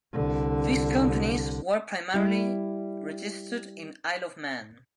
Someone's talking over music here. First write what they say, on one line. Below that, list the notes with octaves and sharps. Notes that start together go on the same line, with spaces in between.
These companies were primarily registered in Isle of Man.
C2 D3
G3 E4